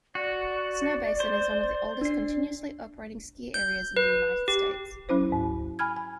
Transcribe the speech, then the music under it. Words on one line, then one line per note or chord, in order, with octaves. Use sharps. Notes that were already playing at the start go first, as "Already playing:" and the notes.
Snowbasin is one of the oldest continuously operating ski areas in the United States.
F#4 D5
C5
D4 C7
G6
B4
G4
F#3 C#4 E4 C5
G#2
G#5 B5 F6 G#6
G#5